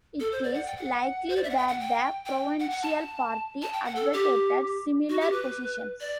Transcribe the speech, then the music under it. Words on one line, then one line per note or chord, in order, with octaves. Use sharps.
It is likely that the provincial party advocated similar positions.
A4
C5
D5
F#5
G5
F#5
C5
D5
E5
F#5
G5
F#5
G5
G5
F#5
F#5
A5
A5
G5
F#5
A4
G4
F#4
G4
B4
D5